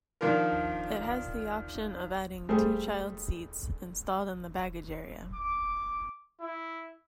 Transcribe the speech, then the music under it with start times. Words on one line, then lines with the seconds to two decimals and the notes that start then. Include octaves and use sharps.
It has the option of adding two child seats, installed in the baggage area.
0.21 D#3 F3 D4 F4 A#4
2.49 G3 A3 G#4 A4 C5
5.34 D6
6.40 E4